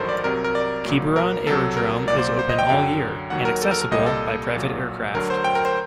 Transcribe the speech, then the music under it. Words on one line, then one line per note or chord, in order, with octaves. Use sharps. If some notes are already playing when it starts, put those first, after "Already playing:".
Quiberon Aerodrome is open all year and accessible by private aircraft.
Already playing: A1 G2 D#3 F#3 A4 A#4 C5
D5
C2 C3 F#3 A#4
A#4
D5
C2 A#2 F#3
A#4
C2 C3 F#3 A4
A#4
C2 A#2 F#3 D5
C5
C5
D#5
G5
F#2 D3 F#3 G5
D#2 D#3 F#3 F#5
A#4
A4
A#4
A#4
C2 A#2 G3 D#5
A4
A#1 A#2 F#3
D2 D3 F#3 A#4
C5
G5
A#4
C5